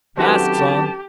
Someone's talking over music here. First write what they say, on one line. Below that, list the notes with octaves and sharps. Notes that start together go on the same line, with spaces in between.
Masks on!
F#2 D#3 A3 C4 F#4 G4 B4 A5